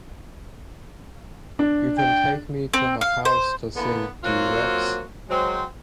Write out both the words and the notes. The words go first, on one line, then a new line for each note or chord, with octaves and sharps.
You can take me to her house to sing duets.
D4
G5
C4
F5
C5
D3 E3 A#3 B3
F#3 A#3 C4 F4 F#4
F#3 G#3 C4